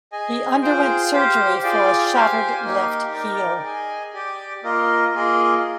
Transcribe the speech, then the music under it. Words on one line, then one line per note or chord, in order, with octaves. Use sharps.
He underwent surgery for a shattered left heel.
G#4 D#5 G#5
F4 G#4 C5 G5
G4 C5 F5
F4 G#4 D5 G5
G4 C5 F5 G#5
A#3 D#4 G4
D#4 A#4 D5 G5
G#4 D#5 G#5
G4 D5 G5
A#3 F4 A#4 D#5
A#3 F4 G#4 D#5